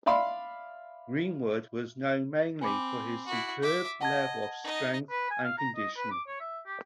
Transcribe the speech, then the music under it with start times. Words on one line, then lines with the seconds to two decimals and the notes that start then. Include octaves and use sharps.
Greenwood was known mainly for his superb level of strength and conditioning.
0.06 D5 E5 F5 B5 C6
2.61 C4 G#5 B5 D6
3.27 E4 F#4
3.62 E5 D6
4.01 D#5 F#5 A5 G#6
4.64 D#4 D#5
5.10 B4
5.31 G#5
5.44 F5
5.58 A#5
5.76 D#5
5.96 B4
6.11 D6
6.27 C#5
6.41 E5
6.66 G4